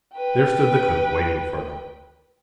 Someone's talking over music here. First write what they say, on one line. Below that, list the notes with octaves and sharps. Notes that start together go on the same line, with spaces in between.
There stood the cook waiting for them.
B4 G5